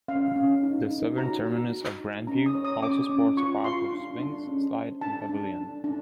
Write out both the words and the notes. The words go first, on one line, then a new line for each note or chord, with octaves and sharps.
The southern terminus of Grandview also sports a park with swings, slide, and pavilion.
C#4 F5
C#4
D#4
D#4
F#4 A#5
F#4
D#4
D#4
C#4 A#5
D#6
C#5
D#6
C#4 D6
C#4
F4 C#6
F4 C6
D4
D4
C#4
C5
D4 A5
D4
D4
D4